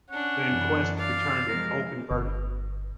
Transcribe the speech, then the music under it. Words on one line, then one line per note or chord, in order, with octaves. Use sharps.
The inquest returned an open verdict.
C#4 D4 F#5
F#2 E3
D5 F5
F3 G#3 A#4
G1